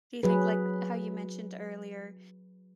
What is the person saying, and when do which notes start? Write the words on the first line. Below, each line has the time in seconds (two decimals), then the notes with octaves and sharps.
Do you think like, how you mentioned earlier,
0.23 F#3 G#4 B4